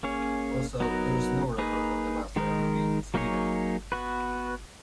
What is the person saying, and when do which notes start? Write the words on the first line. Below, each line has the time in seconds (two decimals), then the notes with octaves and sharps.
Also, there is no record of the Master ever being in Sweden.
0.03 A#3 C#4 G#4 C#5
0.80 F#3 B3 D#4 F#4 A#4
1.58 A#3 D#4 G#4 B4
2.36 D#3 G#3 D#4 A#4
3.14 F#3 A#3 D#4 G#4 C#5
3.92 B3 F#4 B4